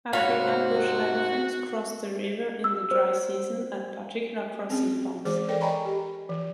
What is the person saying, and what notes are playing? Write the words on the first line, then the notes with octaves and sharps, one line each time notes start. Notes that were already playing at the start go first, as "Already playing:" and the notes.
African bush elephants cross the river in the dry season at particular crossing points.
G#2 C3 F#4 C#5 F5 B5
E6
C5
C4 C#4 G#4
E3 G#3 G#4 C5 D6
A4 A#4 C#5 D5 G5
D#5 G5 G#5 A#5 B5 C#6
G4
E3